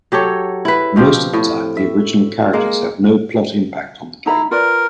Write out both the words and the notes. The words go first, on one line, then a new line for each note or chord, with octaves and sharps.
Most of the time, the original characters have no plot impact on the game.
F#3 G4 A4 C#5
E4 B4
B2 F3 C4 G4
A2
E5
G#3 A#3
D#4 E4 A#5 B5
F4 A#4 B4 D5